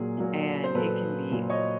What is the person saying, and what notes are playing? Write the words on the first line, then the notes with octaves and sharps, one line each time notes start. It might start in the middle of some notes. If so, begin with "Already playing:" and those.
and it can be
Already playing: A#2 F#3 A#3 G#4
A#2 F#3 A#3
C5
A#2 F#3 A#3 A4 B4
A#2 F#3 A#3
C#5 D#5